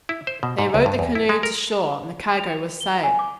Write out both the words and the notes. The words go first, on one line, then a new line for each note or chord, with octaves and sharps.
They rowed the canoe to shore and the cargo was saved.
E4
C5
B2
G#2
C#2
G2
E2
E4
G#3
A#4
F7
G7
G#5
D6